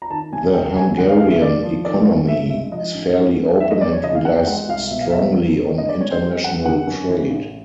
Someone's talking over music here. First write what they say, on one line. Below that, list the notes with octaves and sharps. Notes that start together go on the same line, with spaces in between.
The Hungarian economy is fairly open and relies strongly on international trade.
A#5
D#3 A5
C2 G#5
C3 G5
F#3 G#5
D3 F#5
F5
E1 F5
E5
D#2 D5
F3
D#3 D5
G1
G2 E5
G#3 E5
F3 D#5
A1
G#2
A#3
F3 E5
D#5
F#2 D5
C#5
C#3 D#5
F5
F#2 F#5
G5
G#3 F#5
C2 F5
B2 E5
F5
B3 E5
F3
F#2
D3 D#5
D5
G#3 C#5
C5
G3 C5
F#2 F#5
D3 F#5
F#2
E3
A1